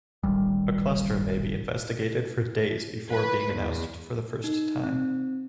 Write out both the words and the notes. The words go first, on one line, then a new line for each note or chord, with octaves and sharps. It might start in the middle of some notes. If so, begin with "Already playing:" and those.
A cluster may be investigated for days before being announced for the first time.
D#1 A1 D#2 G3
B4
E2
D#4
C4